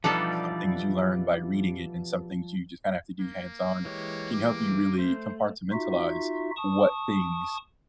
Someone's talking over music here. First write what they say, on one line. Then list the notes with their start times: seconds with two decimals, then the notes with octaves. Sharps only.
There's some things you learn by reading it, and some things you just kinda have to do hands on, it can help you really compartmentalize what things,
0.04 B2 E3 F3 G3 D4 D#4 A4 D5
3.20 A#3
3.85 E3 G#3 G4 C#5
4.33 D6
4.98 A3 C5
5.72 D#4 F4 F#4 E5
6.57 A5 C#6 D#6